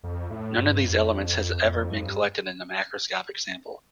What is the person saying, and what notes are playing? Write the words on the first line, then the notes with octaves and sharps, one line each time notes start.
None of these elements has ever been collected in a macroscopic sample.
F2
A2
G2
F2
F2
G2
F2
G2